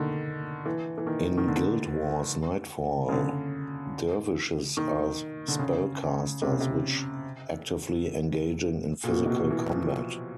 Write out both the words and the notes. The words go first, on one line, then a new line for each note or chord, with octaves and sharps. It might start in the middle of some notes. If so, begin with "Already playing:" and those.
In "Guild Wars Nightfall", dervishes are spellcasters, which actively engaging in physical combat.
Already playing: D3 D#3
E3
E3
D#3
D#3
D3
C#3
D3
D#3
D3
C#3
C3
C#3
C3
A#2
B2
C3
B2
E3
F3